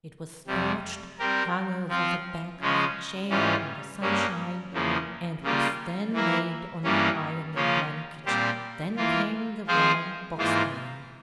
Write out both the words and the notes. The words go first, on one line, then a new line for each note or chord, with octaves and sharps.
It was starched, hung over the back of a chair in the sunshine, and was then laid on the ironing-blanket; then came the warm box-iron.
F2 C3 G3
G3 C4 G4 A#4
F3 C4 F4
C#3 F3 G#3 C#4
G#2 E3 G3 C#4 F4
G2 G3 A#3 C#4
E2 C#3 F3 A#3
C#3 G3 A#3 F4
E3 A#3 E4 A#4
G2 E3 G3 A#3 C#4
C#3 F3 A#3 C#4 F4
A#2 G3 C4 G4 C5
E3 A#3 F4
F3 C4 F4 G#4 C5
G#2 E3 A#3 F4 C5